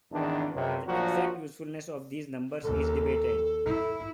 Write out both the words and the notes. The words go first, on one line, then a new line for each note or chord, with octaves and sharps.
The exact usefulness of these numbers is debated.
G#1 E2 D#3 D4
C#2 F#2 C3
A#1 A#2 F3 F#3 F4 F#4
D#2 A4
E4